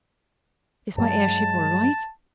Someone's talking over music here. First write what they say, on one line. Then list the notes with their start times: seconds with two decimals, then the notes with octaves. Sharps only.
"Is my airship all right?"
0.98 G2 F#3 G#3 A5